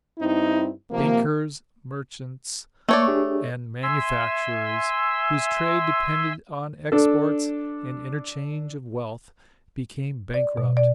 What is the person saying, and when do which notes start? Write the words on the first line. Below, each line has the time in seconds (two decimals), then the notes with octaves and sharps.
Bankers, merchants, and manufacturers, whose trade depended on exports and interchange of wealth, became bankrupt.
0.19 G2 C4 D#4 E4
0.90 C3 F3 A#3
2.89 A3 A#3 C#5 D5 C#6
3.08 D4 G4 G#4
3.82 E5 G#5 C6 E6
6.92 D4 A4
10.34 D5
10.57 B2
10.77 D5